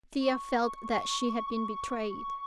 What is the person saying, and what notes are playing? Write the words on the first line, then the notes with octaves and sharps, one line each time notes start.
Thea felt that she had been betrayed.
C#6